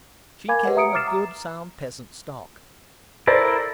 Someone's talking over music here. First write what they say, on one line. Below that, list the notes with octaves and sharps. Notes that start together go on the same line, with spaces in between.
She came of good sound peasant stock.
A#4 F5 G#5 B5 D6 G#6
G4 B4 C#5 F#5
E5 A#5 D#6 C#7 D7
D6 F6 A6 C7 E7
A#5
E4 A4 A#4 C5 D5 A5